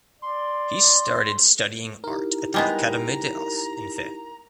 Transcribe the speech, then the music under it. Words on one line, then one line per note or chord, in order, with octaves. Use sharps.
He started studying art at the "Academie des Arts" in Fes.
D5 C6
D#4 E4 G4 A#4
G3 G#3 B3 A#5